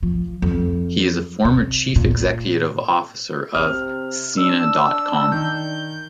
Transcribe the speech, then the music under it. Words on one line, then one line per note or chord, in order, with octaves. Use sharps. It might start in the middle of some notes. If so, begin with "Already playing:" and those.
He is a former Chief Executive Officer of Sina dot com.
F3
F2
C3
A#2
C3 F6
D4 E6
D#3 G6